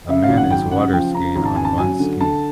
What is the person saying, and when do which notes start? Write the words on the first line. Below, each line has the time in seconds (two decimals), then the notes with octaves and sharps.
A man is waterskiing on one ski.
0.09 C#3 E5
0.23 F5
0.29 G#1
0.37 F#5
0.50 F#2 G5
0.71 C#3 F#5
0.93 F3 G5
1.14 C#3 A#5
1.36 G#1 A#5
1.45 A5
1.56 C#3 G#5
1.65 A5
1.78 F#3 G#5
2.00 D3
2.21 D3 A5